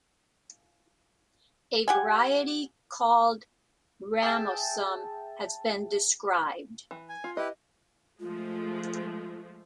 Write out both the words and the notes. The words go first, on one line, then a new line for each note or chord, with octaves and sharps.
A variety called "Ramosum" has been described.
G4 F#5 G#5
G#4 E5 G5 A5
E3
G#5
F4
E4 G4 B4 D#5
F3 G#3 A3 F4